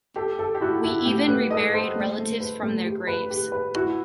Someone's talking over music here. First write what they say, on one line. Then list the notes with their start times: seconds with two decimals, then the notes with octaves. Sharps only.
We even reburied relatives from their graves.
0.16 G4 A4
0.39 A4
0.55 G4
0.61 E4 F#4
0.84 E4
1.05 A3 G4
1.28 A3 B4
1.50 A4 D#5
1.73 A4 C5
1.95 A3
2.18 A3
2.40 B4
2.63 A3
2.85 G4
3.07 B4
3.30 G4
3.52 B4
3.75 E4 F#4